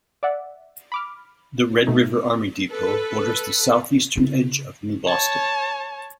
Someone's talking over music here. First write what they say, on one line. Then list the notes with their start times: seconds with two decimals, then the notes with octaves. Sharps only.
The Red River Army Depot borders the southeastern edge of New Boston.
0.23 D5 E5 F#5
0.92 B5 D6 F6
1.87 B2 A3 D#4
2.70 A4 B4
4.16 C#3 E4
5.05 C#5 A5